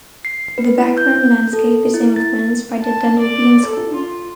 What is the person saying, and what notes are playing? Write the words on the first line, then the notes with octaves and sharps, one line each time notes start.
The background landscape is influenced by the Danubian School.
C7
B4
E4
G6
A4
E4
A6
A5
D5
A4
F4